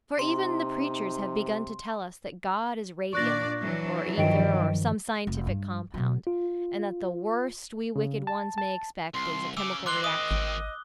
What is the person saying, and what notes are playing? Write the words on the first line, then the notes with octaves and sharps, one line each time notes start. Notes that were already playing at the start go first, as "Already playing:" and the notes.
For, even the preachers have begun to tell us that God is radium, or ether or some scientific compound, and that the worst we wicked ones may expect is a chemical reaction.
C3 D#4 C6
A#2 D4 D5 C#6 F#6 A#6
E3 F#3 D4
G2 D#3 F3 D#5 G5 D7
F1
G2
B2 F#3
F4
C#3
A5
A5
C2 C6
C#3 D6 E6
D#3 C4 C6 D6 F#6 G7
D#5 D#6
G#1